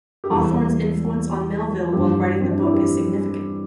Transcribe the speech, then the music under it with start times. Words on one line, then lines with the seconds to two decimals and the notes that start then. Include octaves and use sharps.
Hawthorne's influence on Melville while writing the book is significant.
0.24 G4
0.30 E2 C3 E3 G3 A4
1.93 G2 E3 G3 G4
2.41 C4
2.51 D4
2.62 E4
2.73 G4